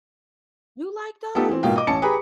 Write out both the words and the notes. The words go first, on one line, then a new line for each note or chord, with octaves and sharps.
You like those?
A3 B3 D#4 F4 G4 A4
E3 C4
G#2 B2 A#3 F4 F5 G5
D#5 D6
A1 C#4 A5 C#7
G4 G#4 B4 A#5 B5